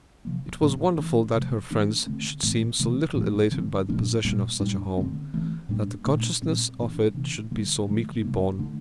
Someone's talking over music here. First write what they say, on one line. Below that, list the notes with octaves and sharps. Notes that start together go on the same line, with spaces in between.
It was wonderful that her friends should seem so little elated by the possession of such a home, that the consciousness of it should be so meekly borne.
C3 F3 A#3
A2 F3 A#3 D4
E3 A3 D4
C3 F3 A3
E3 A#3 D4
D3 A3 C4
A2 E3 A3 C4
C3 E3 A3
A2 F3 A3 C4
D3 F3 C4
A#2 F3 A#3 D4
A#2 G3 A#3
A2 G3 D4
D3 A3 C4
E3 A3 C4
A2 G3 A#3 D4
A#2 A3 D4
A#2 G3 C4
A2 E3 A#3 D4
C3 E3 A#3 D4
D3 G3 A#3
D3 F3 A3
C3 G3 A#3 D4
D3 A3 D4